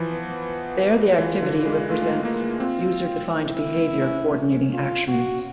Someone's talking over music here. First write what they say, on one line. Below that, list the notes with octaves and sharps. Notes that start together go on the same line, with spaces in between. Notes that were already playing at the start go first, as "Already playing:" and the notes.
There the activity represents user-defined behavior coordinating actions.
Already playing: E3 F3
B3
E3 F4
D3
F4
G#3
A3 F4
A#3 F4
C4 F4
E4
C#4
F4
F#4